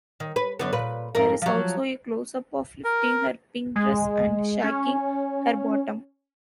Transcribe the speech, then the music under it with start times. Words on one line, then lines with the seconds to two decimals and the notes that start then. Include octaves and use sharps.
There is also a close-up of lifting her pink dress and shaking her bottom.
0.20 D#3
0.36 B4
0.59 F#2 D3 B3
0.73 A#2 B4
1.15 F2 G#2 A#4
1.42 F3 F#3
2.84 A#4
3.76 G#3
4.64 C#4